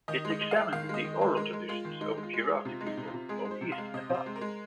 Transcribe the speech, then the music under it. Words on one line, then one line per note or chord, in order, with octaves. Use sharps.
It examined the oral traditions of Kirati people of east Nepal.
D#3 D#5
G#3
D#5
G#3
G#3 F5
D#3 F5
G#3 D#5
D#3
C5
G#3
G#3 A#4
G#3
G#3 F4
D#3
G#3 D#4
G#3
F4
G#3
G#3 G#4
C3 F4
G#3
D#4
C3
F4
C3
G#3 G#4
G#3
C5
C3
F5
G#3
C3 D#5
C3 C5
G#3
A#4
G#3